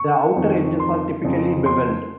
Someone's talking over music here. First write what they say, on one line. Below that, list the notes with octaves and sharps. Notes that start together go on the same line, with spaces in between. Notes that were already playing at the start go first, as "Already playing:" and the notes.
The outer edges are typically bevelled.
Already playing: C#6
F2 D#3
C6
F2 C#3
C6